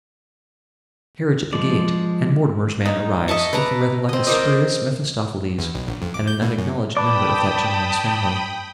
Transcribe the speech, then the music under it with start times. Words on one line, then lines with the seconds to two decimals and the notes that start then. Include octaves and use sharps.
A carriage at the gate, and Mortimer's man arrives, looking rather like a spurious Mephistopheles and an unacknowledged member of that gentleman's family.
1.53 F3 G#3 D5
2.85 D#4
3.28 D#5 E5 A5 C#6
3.53 B4 D5 A5 A#5
4.09 C4 D#5
4.27 A#4 C5 D5 D#5
5.59 E2
5.74 B1
5.87 A#1
6.02 F2
6.14 D6
6.27 G6
6.42 A2
6.58 F#2
6.97 B4 D5 G5 A5 B5 D#6